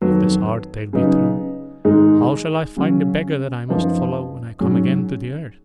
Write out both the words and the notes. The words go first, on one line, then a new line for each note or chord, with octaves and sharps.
"If this hard tale be true, how shall I find the beggar that I must follow when I come again to the earth?"
F2 D#3 F#3 B3
C#3 F#3 B3 D#4
G#2 D#3 G#3 D#4
C#3 F#3 C#4
F#2 F3 B3 D#4
G#2 F#3 C#4